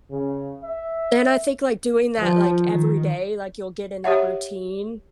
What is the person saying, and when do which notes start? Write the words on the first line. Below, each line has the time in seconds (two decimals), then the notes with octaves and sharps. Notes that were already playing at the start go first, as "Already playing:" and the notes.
And I think, like, doing that, like, every day, like, you'll get in that routine,
0.11 C#3
0.62 E5
2.18 F3
2.65 D#3
4.04 G4 C#5 E5 F#5